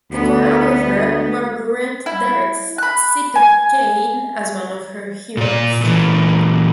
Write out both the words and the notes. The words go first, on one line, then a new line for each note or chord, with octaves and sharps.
The choreographer Marguerite Derricks cited Kain as one of her heroes.
D2 B3
E4
B5 F#6
G#5
A#2 D5
A#2 E3